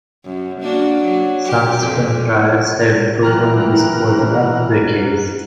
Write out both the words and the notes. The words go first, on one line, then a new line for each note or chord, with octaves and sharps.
Subsequent trials have proven this was not the case.
F#2
A#3 D4 F#4
F#3
G4
F2
E3 F#3 A#3 G5 A#5 F6 F#6